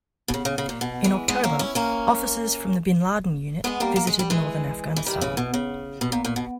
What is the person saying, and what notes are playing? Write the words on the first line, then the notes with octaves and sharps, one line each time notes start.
In October, officers from the Bin Laden unit visited northern Afghanistan.
B2
C#3
C#3
C#3
A#2
B2
E3 G#3
G#3 B3
A#3 C#4
C#4 E4
A#3 C#4
G#3 B3
G3 A#3
A#3
G#3
G3
E3 G#3
E3
D#3 G3
C#3 E3
B2
C#3
B2
A#2
A#2
B2